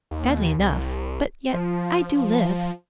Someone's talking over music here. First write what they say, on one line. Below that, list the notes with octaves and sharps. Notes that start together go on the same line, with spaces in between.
"Badly enough; but yet I do live."
D#2
C2
F3